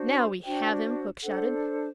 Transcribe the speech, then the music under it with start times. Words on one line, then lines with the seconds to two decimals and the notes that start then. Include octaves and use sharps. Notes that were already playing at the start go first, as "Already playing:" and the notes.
"Now we have him," Hook shouted.
Already playing: D4 F#4 C5
0.17 C6
0.43 D4 F#4 C5 G5
1.23 D4 A4 C5 F#5